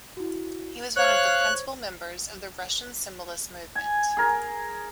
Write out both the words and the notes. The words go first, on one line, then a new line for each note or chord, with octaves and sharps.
He was one of the principal members of the Russian Symbolist movement.
E4 F#4
C5 C#5 F5 F#6 G#6
G#5
G#4 A#4